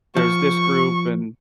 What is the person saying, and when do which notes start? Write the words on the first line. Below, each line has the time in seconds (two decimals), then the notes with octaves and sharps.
"There's this group and"
0.17 F3 C#6